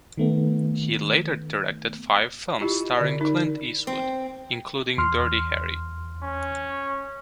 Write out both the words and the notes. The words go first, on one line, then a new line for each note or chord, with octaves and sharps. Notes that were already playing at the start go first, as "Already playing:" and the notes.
He later directed five films starring Clint Eastwood, including "Dirty Harry".
D#3 A3 B3
E4 F4 G4 D#5
D3 D5
D#4 A#4
C4
E2 C6 F6
C#4